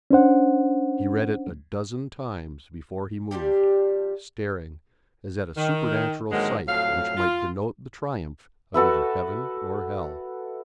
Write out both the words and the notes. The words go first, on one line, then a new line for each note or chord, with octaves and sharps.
He read it a dozen times before he moved, staring, as at a supernatural sight which might denote the triumph of either heaven or hell.
C#4 D4 C5 F#5
F3 G3 D4 G4
D#3
G#2 D3 D#3 F#3 G#3 A#3
F2 A2 F#3 F5
F4
F#4 A4 B4 E5